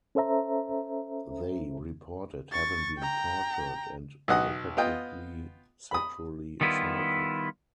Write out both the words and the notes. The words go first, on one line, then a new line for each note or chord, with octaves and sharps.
They reported having been tortured and repeatedly sexually assaulted.
C#4 A4 C5 E5 A#5
C#6 A6
G5 A#5
B1 D#5 F#5 D#6
B3 F4 D#5 G5
B5 D#6
D#3 G3 B3 E4 F4